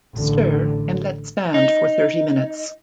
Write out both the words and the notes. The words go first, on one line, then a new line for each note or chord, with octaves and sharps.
Stir and let stand for thirty minutes.
A1 D3
D#4